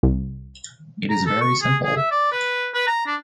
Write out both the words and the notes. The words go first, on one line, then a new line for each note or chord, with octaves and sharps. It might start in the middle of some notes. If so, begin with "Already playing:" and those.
It is very simple.
C2
A#5
A4
C#6
G#4
G#4
E5
D5
B4
B4
A#5
D4